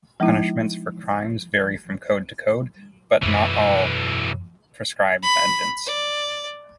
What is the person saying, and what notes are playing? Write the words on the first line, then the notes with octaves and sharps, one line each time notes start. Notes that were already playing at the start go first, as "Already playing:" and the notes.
Punishments for crimes vary from code to code, but not all prescribe vengeance.
F3 G#3 B3 D#4 E4
B1 F#2 E3 G#3
B5
D5